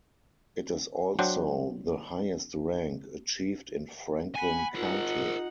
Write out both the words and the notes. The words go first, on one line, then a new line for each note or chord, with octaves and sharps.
It is also the highest rank achieved in Franklin County.
F#3 D4 C5 F#5 G5
F#5 G#5 B5
D#4 F4 G#4 A#4 F#5